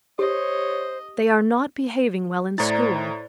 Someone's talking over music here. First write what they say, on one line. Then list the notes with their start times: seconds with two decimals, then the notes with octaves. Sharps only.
"They are not behaving well in school."
0.19 G4 C5 C#5 D#5
2.58 A2 E4 C5 D5 A#5 A6